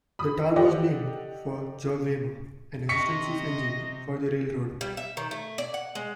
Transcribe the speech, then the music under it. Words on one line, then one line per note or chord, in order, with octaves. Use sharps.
The town was named for George Raymer, an assistant chief engineer for the railroad.
B5 D#6
G4 A4 D5 D#5 F#5 G5
C3 D#5 C#6 B6 C#7
G3
E5
D#3
A3
D5
F#5
G#3